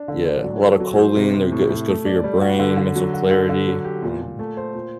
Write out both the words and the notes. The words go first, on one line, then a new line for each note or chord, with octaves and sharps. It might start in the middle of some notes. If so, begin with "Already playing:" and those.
yeah, a lot of choline, they're goo it's good for your brain, mental clarity, um,
Already playing: D4
D3
D4
F#3
A4
F#3
C5
C3
C3
A2
A2
A3
D5
G3
F#4
D3
D3
F#3
F#4
D3
D3
F#3
G4
A#2
A#2
A3
C5
A#2